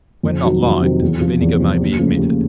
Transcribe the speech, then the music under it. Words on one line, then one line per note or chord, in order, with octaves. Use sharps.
When not liked, the vinegar may be omitted.
F2
C3 D#3 F#3
F2
C3 D#3 F#3
E2
C3 F3
E2
C3 F3
D#2
C#3 F3 A3
D#2